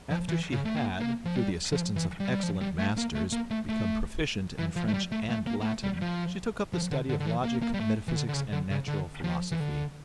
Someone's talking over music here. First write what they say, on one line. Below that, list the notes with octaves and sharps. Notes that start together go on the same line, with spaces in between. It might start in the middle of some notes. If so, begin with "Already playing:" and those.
After she had, through the assistance of excellent masters, become proficient in French and Latin, she took up the study of logic, metaphysics and natural philosophy.
F3
E3
C#3
A3
A#3
A#3
F3
G3
F3
E3
G3
G3
F3
G3
A3
A#3
A3
A#3
A3
A3
E3
F3
A3
G3
A3
A3
A#3
A#3
A3
G3
F3
F3
D3
D3
D3
E3
A#3
A#3
G3
A3
E3
D3
D3
C#3
D3
C#3
D3
F3
E3
D3